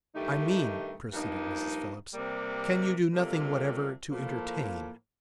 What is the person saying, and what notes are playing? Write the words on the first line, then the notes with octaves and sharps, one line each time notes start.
"I mean," proceeded Mrs. Phillips, "can you do nothing whatever to entertain?"
G2 D#3 A3 D#4 G4
G2 F3 A#3 D#4
C3 G3 A#3
C3 G3 A#3 F4 A4
A2 F3 A#3